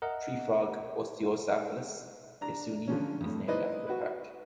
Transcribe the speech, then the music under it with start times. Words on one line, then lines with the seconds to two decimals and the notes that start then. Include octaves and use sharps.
Treefrog "Osteocephalus yasuni" is named after the park.
0.02 A#4 D#5 E5 F#5 A#5
2.41 D4 A#5
2.88 D3 F3 C#4
3.20 F2 A2
3.48 D#4 E4 B4 C5 D5 D#5
3.87 F#4 B4